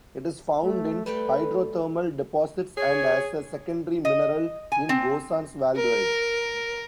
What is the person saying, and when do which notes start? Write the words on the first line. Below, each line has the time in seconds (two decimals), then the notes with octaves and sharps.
It is found in hydrothermal deposits and as a secondary mineral in gossans worldwide.
0.63 A3
1.06 G3 A3 B4 G5
2.77 G#4 C#5
4.05 D#5
4.72 G#5
4.89 C4
5.76 A#4